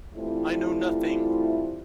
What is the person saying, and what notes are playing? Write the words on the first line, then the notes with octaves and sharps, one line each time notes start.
I know nothing!
E3 G3 A3 C4 E4 F4